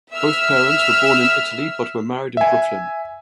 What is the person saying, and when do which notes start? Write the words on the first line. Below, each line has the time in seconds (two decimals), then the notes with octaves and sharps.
Both parents were born in Italy but were married in Brooklyn.
0.11 E5 E6 F6
2.37 E5 G#5